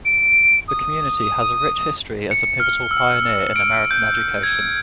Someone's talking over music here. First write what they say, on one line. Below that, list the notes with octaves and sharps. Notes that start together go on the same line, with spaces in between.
The community has a rich history as a pivotal pioneer in American education.
D7
D#6
C#7
F6
E6
D7
G6
G#6